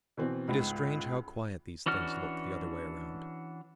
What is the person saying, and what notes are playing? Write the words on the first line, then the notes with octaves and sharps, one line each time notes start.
It is strange how quiet these things look, the other way round.
B2 E3 C4
C#2 G#2
E3 C#4 D4 F#4 F6